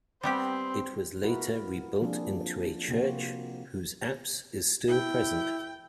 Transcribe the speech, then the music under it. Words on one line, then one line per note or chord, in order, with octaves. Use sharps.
It was later rebuilt into a church, whose apse is still present.
G3 B3 C4 G4
E4 F#4 A#4 B4
F3 A#3 C4 D4 F4 G#4
C3 A#3 C4 F#4
E4 G5